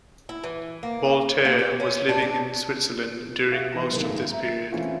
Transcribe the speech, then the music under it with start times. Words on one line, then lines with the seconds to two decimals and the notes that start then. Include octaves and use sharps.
Voltaire was living in Switzerland during most of this period.
0.29 E4
0.44 E3
0.83 A#3
1.45 A#3
1.59 G4
1.80 C#4
2.09 D4
2.22 D4
3.52 F#4 G4 E5 F5
3.72 E3 B3 B4 A#6 E7
3.90 C3 D#3 F#3 A#3
4.02 F#1 G#2 D#3 A3 G#4 F5
4.30 E5 A#5
4.72 E3 A3 C4 C#4 E4 F4